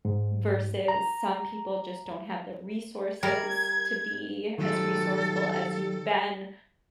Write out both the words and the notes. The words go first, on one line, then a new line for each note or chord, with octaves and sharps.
versus some people just don't have the resources to be as resourceful as you've been,
G#2
A#5
G3 A#4 G#6
D#3 F#3 G3 A4